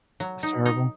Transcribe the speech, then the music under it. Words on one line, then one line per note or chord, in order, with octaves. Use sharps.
That's terrible.
F#3
D#4
D#4